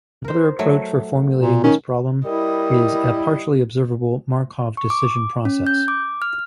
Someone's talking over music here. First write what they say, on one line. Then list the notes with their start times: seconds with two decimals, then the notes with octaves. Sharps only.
Another approach for formulating this problem is a partially observable Markov decision process.
0.24 A#4 C5
0.59 F#3 A3
1.40 A#2
1.64 D#3 C#4
2.25 G3 E4 A#4 D#5
4.77 C#6
4.90 D6
5.45 C#4
5.67 G6
5.88 D6
6.22 F6